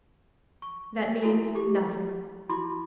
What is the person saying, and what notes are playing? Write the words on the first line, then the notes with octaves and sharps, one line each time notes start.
That means nothing.
C#6
E4 F#4 A4 A#4 E5 G#5
G4 D6
E4 F#4 B5 C6 D6